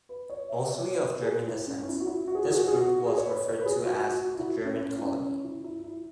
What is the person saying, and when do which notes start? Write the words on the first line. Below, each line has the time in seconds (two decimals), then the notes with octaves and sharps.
Mostly of German descent, this group was referred to as the "German colony".
0.09 B4
0.30 C#5
0.49 E5
0.69 C#5
0.95 B4
1.22 G#4
1.48 E4
1.67 C#4
1.83 C#4
1.88 E4
2.00 F#4
2.07 E4
2.27 F#4
2.35 G#4
2.44 F#4
2.51 G#4
2.59 F#4
2.67 G#4
2.76 F#4
3.06 G#4
3.18 C#5
3.26 B4
3.45 C#5
3.61 B4
3.66 G#4
3.85 F#4
4.11 F#4
4.35 F#4
4.38 E4
4.65 C#4
4.98 E4
5.05 C#4
5.44 E4
5.64 E4
5.84 E4